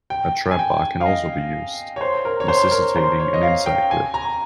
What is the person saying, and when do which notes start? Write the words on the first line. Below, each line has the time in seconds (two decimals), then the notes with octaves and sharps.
A trapbar can also be used, necessitating an inside grip.
0.10 G5
0.51 G#5
0.59 G5
1.01 F5
1.06 D#5
1.96 C#5
2.01 C5
2.25 A#4
2.40 C#5
2.48 C5
2.71 A#4
2.96 C5
3.20 C#5
3.34 D#5
3.43 F5
3.66 G5
3.91 G#5
4.14 A#5